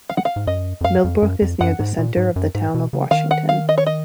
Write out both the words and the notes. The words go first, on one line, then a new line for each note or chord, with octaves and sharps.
Millbrook is near the center of the Town of Washington.
F5
F#5
F5
G#2
F#2 D#5
F2
F#2 F5
F2
F#2
F2
F#2 F#5
G#2
A#2
G#2
F#2
G#2
B2
C#3
D#3 F5
F#5
F5
D#5
C#5
D#5